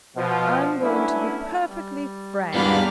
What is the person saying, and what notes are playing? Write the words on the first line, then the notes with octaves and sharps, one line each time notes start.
'I'm going to be perfectly frank.
B2 F3
F#3 A3 B3 C#4 D4 E4
G3
E2 G#2 G3 A#3 B3 D4 F5 B5